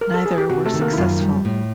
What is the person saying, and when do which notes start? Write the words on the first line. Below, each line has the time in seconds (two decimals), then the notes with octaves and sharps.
Neither were successful.
0.01 A#4
0.14 A4
0.26 G#4
0.38 G4
0.49 C3 F#4
0.66 A3 A4
0.74 D#3
0.81 A#3 A#4
0.93 E4
0.97 F#2 F4
1.21 G3
1.45 A2